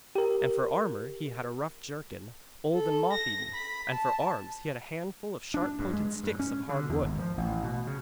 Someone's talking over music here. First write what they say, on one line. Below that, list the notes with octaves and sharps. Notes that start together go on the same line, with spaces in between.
And for armour he had a rough jerkin, old and moth-eaten, and for arms he had a handful of sharp-pointed sticks of hard wood.
G4 A#4
A4
A#6
B5
A5
D4
G2
G#3
G2
C#4
D3
E2
G#1
F3
A1
B2
C#3